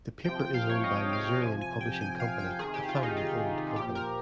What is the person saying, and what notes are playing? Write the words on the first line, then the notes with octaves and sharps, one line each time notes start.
The paper is owned by Missourian Publishing Company, a family-owned company.
C3 F3 G5
G5
F5
C#5
D#5
F5
C3 F3 G#5
G#5
G5
G#5
F5
G5
C3 D#3 G#4
G4
F4
D#4
F4
A#2 F3 G4
A#4